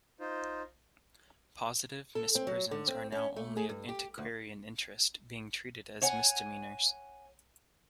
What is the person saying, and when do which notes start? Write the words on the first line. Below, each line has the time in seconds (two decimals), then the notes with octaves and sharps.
Positive misprisions are now only of antiquarian interest, being treated as misdemeanours.
0.20 D#4 F4 C5
2.15 A4
2.35 C4
2.47 F#3
2.71 D3
2.88 C4
3.12 C#4
3.36 A3
3.57 G#4
3.69 G2
3.89 G4
4.18 D2
6.02 C#5 F#5 G#5